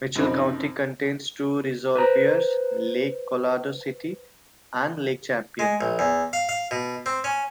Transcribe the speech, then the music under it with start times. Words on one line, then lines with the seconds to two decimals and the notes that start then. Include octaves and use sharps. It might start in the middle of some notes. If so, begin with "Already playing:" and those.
Mitchell County contains two reservoirs, Lake Colorado City and Lake Champion.
0.16 F#2 C3 F3 C4 D#4 B5
1.95 B4 C5 A#5
5.59 G#3
5.81 A#1
5.99 E2
6.33 F5
6.49 F5
6.71 B2
7.06 C4
7.24 C#4